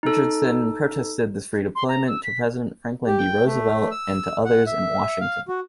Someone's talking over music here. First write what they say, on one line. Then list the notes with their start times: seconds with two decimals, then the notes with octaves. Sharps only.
Richardson protested this redeployment to President Franklin D. Roosevelt and to others in Washington.
0.03 D#4 A4
1.75 C6
1.88 A#5
2.08 E6
2.24 B6
3.07 G4
3.18 G5
3.46 A3
3.91 E6
4.45 F#5
4.67 E5
5.20 F5
5.48 F#4